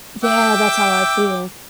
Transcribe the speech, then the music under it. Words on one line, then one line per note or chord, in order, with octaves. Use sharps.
Yeah, that's how I feel.
E5 G5 D6